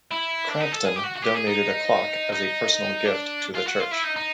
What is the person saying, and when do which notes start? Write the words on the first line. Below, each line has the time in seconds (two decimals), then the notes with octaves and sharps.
Crampton donated a clock as a personal gift to the church.
0.11 E4
0.48 D4
0.60 D#4
0.72 A4
0.85 G#4
0.96 G4
1.04 F#4
1.16 F#4
1.22 G4
1.34 G#4
1.47 D#4
2.32 D#4
3.05 D4
3.55 F4
3.67 F#4
3.80 F4
3.91 E4
4.04 D#4
4.16 D#4